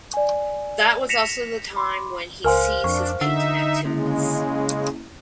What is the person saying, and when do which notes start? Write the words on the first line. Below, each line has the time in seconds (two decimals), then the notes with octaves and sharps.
That was also the time when he seized his painting activities.
0.14 D5 G#5
1.09 A#6 B6 C#7 E7 F7
1.76 B5 C6 D6
2.44 C#2 A#4 C5 F5 G#5 C6 F6
2.84 F2 D4 C#6
3.21 D3 D#4 E5 F#5 E6
3.85 C#3 G#3 A#3 C#4 E4